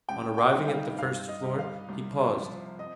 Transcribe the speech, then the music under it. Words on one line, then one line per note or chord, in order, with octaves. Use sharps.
On arriving at the first floor, he paused.
C#2 G5
G5
C3 D#3 G3
F5
G2 F5
D#5
G3
F5
C2
C3 F3
D#5